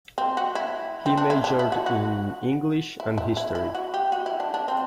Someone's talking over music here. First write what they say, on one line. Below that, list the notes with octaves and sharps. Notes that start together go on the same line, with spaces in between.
He majored in English and History.
C4
F#4
E4
C4
D4
E4
D4
E4
F#4
F#4
E4
E4
E4
E4
F#4
G4
F#4
E4
D4
D4
C4